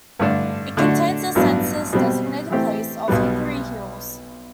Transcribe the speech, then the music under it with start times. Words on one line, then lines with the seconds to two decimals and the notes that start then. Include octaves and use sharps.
It contains the census-designated place of Hickory Hills.
0.19 G2 D3 A3 D4
0.77 D3 A3 D4 F#4
1.35 A1 G2 F#3 B3 D4
1.93 B2 G3 C4
2.50 E3 A3 C4 G4
3.08 B1 B2 G3 B3